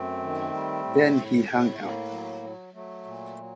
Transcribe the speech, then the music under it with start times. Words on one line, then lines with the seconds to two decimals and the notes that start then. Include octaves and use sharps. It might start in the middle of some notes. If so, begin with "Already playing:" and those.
Then he hung up.
Already playing: F#2 A3 C4
0.22 D#3
0.53 G3
0.85 A2
1.17 A2
1.48 A2
1.73 A3
1.79 A2 A#3
2.11 F#3
2.42 F#3
2.74 F#3 A3
3.05 A#2
3.38 F#3